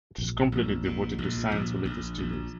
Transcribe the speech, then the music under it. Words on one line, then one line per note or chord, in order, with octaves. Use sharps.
It is completely devoted to science-related studies.
A#1
A#1
G#2
A#1
A#1
A#1
A#1